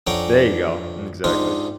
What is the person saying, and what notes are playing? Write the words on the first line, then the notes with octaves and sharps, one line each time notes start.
There you go. Mm, exactly.
F2 C#4 D4 F#5 G5 A#5
G#2 C3 D4 D#4 F4